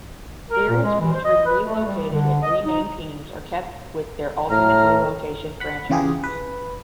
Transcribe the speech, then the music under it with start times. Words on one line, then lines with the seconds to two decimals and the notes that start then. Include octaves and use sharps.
Series featuring relocated and renamed teams are kept with their ultimate relocation franchises.
0.51 A#4
0.69 A#2
0.83 G#3
1.00 E3
1.12 C5
1.25 D#5
1.46 B4
1.64 A3
1.86 G3
2.12 D3
2.43 D#5
2.65 D#4
4.50 A2 A#5 F6
5.60 F#5 B5
5.90 C#3 E3 F4 G4 G#4
6.24 B4